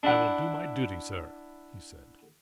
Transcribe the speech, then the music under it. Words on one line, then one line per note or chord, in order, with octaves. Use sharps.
"I will do my duty, sir," he said.
D4 E4 F#5